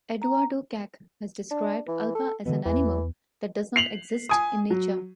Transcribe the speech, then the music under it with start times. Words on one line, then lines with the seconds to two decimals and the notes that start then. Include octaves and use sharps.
Eduardo Kac has described Alba as an animal that does not exist in nature.
0.22 A#5
1.51 D4
1.88 E3
2.15 A4
2.46 B2 D3 E3 B3
2.65 E2 E3
3.76 C7 F7 F#7
4.29 G#5 D#6
4.70 F#3